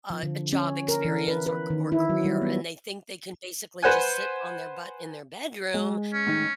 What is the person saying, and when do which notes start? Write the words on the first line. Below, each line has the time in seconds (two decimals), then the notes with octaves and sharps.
uh, job experience or c or career and they think they can basically just sit on their butt in their bedroom
0.10 F3
0.23 D3
0.53 C#4
0.88 A#4
1.05 E3
1.28 B4
1.47 B4
1.70 D#3
1.92 E4
2.10 F#3
2.24 G3
2.42 B3
3.82 B4 C5 F#5 G#5
5.74 G#3
6.13 C#4
6.27 A2 D#3 D#4